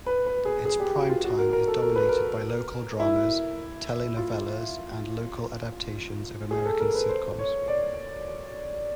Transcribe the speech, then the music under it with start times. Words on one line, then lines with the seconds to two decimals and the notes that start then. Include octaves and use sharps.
Its primetime is dominated by local dramas, telenovelas and local adaptations of American sitcoms.
0.06 B4
0.26 B4
0.45 G#4
0.65 G#4
0.80 G4
0.94 F#4
1.09 F4
1.24 F#4
1.38 A#4
1.53 A#4
1.67 A4
1.82 A#4
1.96 B4
2.09 A#4
3.00 E4
4.17 F4
6.51 G#4
6.65 A4
6.80 A#4
6.95 B4
7.09 C5
7.39 C#5
7.68 D5